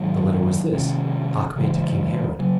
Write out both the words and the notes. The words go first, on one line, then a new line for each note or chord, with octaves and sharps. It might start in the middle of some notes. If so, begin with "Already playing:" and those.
The letter was this: 'Acme to king Herod.
Already playing: G#2 D#3 F#3
C3 D#3 G#3 C#4
C#3 E3 G#3
C#3 F#3